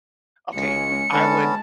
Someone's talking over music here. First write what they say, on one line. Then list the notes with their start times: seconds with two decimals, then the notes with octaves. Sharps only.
okay, I would
0.55 C#2 G#3 C#4 C#7
1.12 D3 G#3 B3 C#4 A5